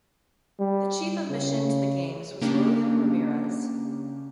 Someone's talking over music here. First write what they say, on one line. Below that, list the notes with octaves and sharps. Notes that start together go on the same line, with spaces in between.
The chief of mission to the games was William Ramirez.
G3
C#3
C#3 A#3 C#4 D4 G4